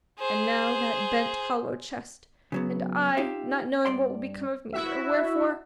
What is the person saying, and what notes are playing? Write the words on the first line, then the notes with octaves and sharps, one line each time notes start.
"And now that bent, hollow chest ... and I, not knowing what will become of me, or wherefore..."
G#4 C5
C#3 F#3 B3
D#4 F4 G4 E5
G2 D5 C6
E4 F#4 E5